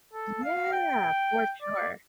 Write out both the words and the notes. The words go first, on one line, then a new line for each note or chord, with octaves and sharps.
Yeah! For sure.
A4
F5
G5
D5